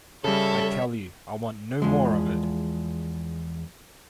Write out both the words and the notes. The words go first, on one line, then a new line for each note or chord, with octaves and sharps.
I tell you, I want no more of it.
C#3 G3 A4 C#5 E5
E2 F3 G#3